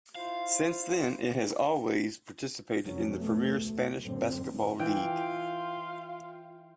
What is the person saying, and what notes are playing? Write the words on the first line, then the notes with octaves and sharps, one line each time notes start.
Since then, it has always participated in the premier Spanish basketball league.
E4 F4 C5 F5
F1 F#3 C#4
B2 A3
D2
G#1 F#2 A2 D3 C4
E3 F4 G5